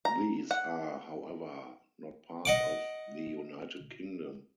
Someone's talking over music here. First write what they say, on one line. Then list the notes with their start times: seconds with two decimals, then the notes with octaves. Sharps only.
These are however not part of the United Kingdom.
0.05 A#5
0.51 F#5
2.45 D#5 F#5 D6